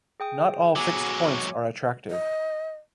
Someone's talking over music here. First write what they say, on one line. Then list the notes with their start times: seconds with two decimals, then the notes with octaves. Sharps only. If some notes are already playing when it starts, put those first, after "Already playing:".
Not all fixed points are attractive.
0.20 G#4 G5 D#6
0.76 F#3 G#3 B3 G#5 D6
2.11 D#5